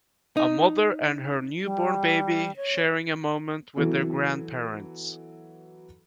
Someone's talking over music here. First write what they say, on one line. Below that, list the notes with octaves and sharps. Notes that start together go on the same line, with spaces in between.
A mother and her newborn baby sharing a moment with their grandparents.
D#4
G3
C#5
E3 F#3 B3 A4